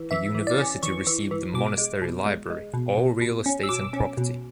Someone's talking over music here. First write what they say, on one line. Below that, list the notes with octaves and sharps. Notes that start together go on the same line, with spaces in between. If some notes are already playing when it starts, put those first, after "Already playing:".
The university received the monastery library, all real estate and property.
Already playing: E3
E3 E5
E3
D5
C#4
E3 C#6
E3
E3
B2 D6
G#3
B2
G#3
G#3
B2
B2
B2
C#4
E6
B2 D6
C#4
B2